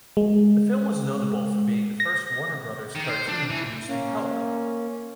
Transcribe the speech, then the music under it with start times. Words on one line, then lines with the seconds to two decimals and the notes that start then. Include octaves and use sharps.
The film is notable for being the first Warner Brothers cartoon produced in color.
0.17 G#3
2.00 A#6
2.95 D#3
3.09 C5
3.29 D4
3.50 E3
3.89 A#3 C#4